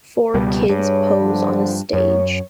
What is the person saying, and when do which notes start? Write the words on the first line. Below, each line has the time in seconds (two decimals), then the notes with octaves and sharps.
Four kids pose on a stage.
0.34 C#2 B2 G3
0.69 G2 G#4 B4 C#5
1.21 E2 D3 F3
1.93 F#2 C#5